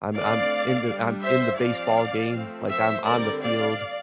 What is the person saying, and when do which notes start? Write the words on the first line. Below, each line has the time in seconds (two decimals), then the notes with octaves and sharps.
I'm I'm in the I'm in the baseball game, like, I'm on the field,
0.14 D3 A3 C4 D5 F5
0.87 G3 D4
1.23 C5 E5
1.60 F3 C4 D5 F5
2.33 F3 A3 C4
2.69 C5 E5
3.06 D3 G3 C4 A#4 D5
3.42 D5 F5